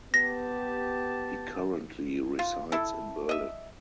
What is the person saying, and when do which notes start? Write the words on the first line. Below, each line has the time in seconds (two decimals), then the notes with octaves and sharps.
He currently resides in Berlin.
0.14 B3 G4 A5 A#6
2.39 F4
2.72 E4 A4
3.29 D#5 E5